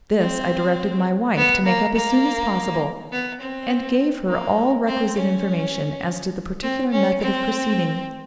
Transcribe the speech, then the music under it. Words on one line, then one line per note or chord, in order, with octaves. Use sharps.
This I directed my wife to make up as soon as possible, and gave her all requisite information as to the particular method of proceeding.
C4
B3
A#3
A#3
B3
C4
A#3
C4
C#4
C4
C#4
C4